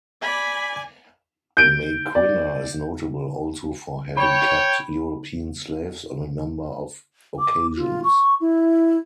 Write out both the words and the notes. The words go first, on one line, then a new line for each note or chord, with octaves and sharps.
Maquinna is notable also for having kept European slaves on a number of occasions.
D5 G#5 B5
G6 D7
D5
C#5 G5 B5
D6
F4
C#6
E4